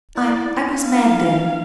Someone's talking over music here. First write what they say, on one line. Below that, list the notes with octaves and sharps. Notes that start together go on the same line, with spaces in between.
I--I was mad then.
E4 D5
D#4
D4 F5
E4
D#4
D4
D4